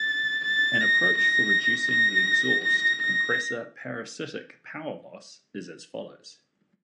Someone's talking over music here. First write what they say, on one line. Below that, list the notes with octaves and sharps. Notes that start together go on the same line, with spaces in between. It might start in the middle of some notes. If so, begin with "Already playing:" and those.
An approach for reducing the exhaust compressor parasitic power loss is as follows.
Already playing: A6
A6
A#6
A#6
A#6
A#6
A#6